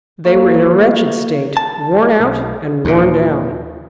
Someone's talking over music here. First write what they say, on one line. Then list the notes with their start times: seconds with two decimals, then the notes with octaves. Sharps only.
They were in a wretched state, worn out and worn down.
0.25 A#3 A4 F5 C#6
1.57 A5
2.20 B1
2.85 D#2 A#2